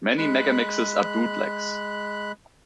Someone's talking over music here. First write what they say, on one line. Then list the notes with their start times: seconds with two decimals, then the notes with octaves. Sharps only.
Many megamixes are bootlegs.
0.18 G#3 B5 F#6